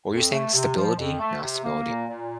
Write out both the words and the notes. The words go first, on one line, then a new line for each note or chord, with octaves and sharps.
What were you saying, stability? Not stability
F2
A3
C3
F3
F2
A3
C3
A#3
A#2
A#2